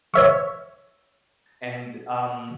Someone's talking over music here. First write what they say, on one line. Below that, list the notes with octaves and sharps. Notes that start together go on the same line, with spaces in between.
and, um,
C#5 E5 C#6